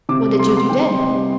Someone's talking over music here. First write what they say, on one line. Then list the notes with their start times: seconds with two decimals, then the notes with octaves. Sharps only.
"What did you do then?"
0.09 C3 D6
0.29 G3
0.39 C6
0.49 B3 D6
0.57 C6
0.69 C3 G5
0.91 C3
1.01 D#5
1.11 G3